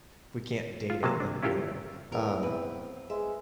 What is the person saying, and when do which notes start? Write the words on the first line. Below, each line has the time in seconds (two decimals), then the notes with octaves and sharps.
if we can't date it, then, you know, whatever. Um
0.90 F4
1.03 C3 F#3 A#3 A5
1.20 D4
1.43 C#4 E4 F4 G4 A4 A#4
2.12 E2 A#4
2.43 C4 B4
3.10 G#3 E5